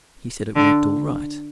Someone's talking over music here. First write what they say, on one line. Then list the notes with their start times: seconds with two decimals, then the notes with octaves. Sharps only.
He said it worked all right.
0.56 D3